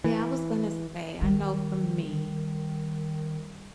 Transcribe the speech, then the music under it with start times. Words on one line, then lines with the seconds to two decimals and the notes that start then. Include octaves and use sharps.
Yeah, I was gonna say, I know from me
0.04 E3
1.21 D#3 G3